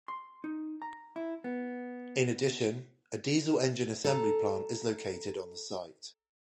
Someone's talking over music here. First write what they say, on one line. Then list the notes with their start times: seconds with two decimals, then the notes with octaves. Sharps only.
In addition, a diesel engine assembly plant is located on the site.
0.08 C6
0.44 D#4
0.82 A#5
1.16 E4
1.44 B3
4.04 A4 A#5